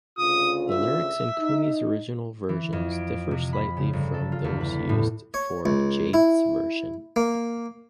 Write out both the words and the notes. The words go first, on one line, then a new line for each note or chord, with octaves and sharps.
The lyrics in Kumi's original versions differ slightly from those used for Jade's version.
D2 C#3 F4 D#6
E5
D#4
E3
F2
D7
C3
B5
C#3
G1
A4
F4
E2
B4
A2
C#5
C#2
E4
A#3